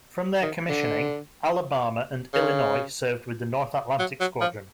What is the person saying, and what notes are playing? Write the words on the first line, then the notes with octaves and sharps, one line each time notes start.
From their commissioning, "Alabama" and "Illinois" served with the North Atlantic Squadron.
D#3
D3
C#3
F#3
F#3
F3